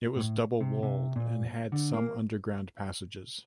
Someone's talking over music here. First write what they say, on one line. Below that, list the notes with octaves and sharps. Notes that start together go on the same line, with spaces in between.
It was double-walled and had some underground passages.
A2
C3
C3
A#2
D3
A#3